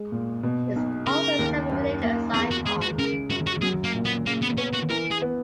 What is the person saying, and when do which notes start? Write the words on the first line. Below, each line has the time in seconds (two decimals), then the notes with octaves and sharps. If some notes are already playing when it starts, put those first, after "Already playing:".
It is also a semi-religious icon.
Already playing: G#3
0.12 A#2
0.43 B2
0.76 B1
1.07 C#3 A#4
1.39 D#2
1.71 F#2
2.03 A#3
2.34 E2 G#4
2.51 F#4
2.66 G#3 G#4
2.82 F#4
2.98 C#3 A#4
3.30 F#2 F#4
3.47 F#4
3.62 F#3 G#4
3.84 A#3
3.94 A#2
4.05 B3
4.26 C#3 A#3
4.42 B3
4.57 B3 C#4
4.73 F#4
4.90 E3 A#4
5.11 G#4
5.22 B3